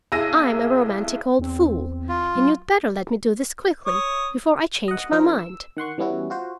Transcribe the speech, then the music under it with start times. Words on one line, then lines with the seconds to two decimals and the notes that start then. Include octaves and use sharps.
"I'm a romantic old fool, and you'd better let me do this quickly, before I change my mind."
0.12 B1 E4 G#4 E6 A#6 D#7
1.39 E2 C4
2.09 F4
2.35 F#3
3.86 C#5 D#6
4.88 D#5 F#5
5.12 F3 D4 A#4 C5
5.39 E6
5.77 D#3 F#5 C6 C#6
5.98 E3 G3 B3 C#4 E4 F#4
6.30 F4 F#4 C5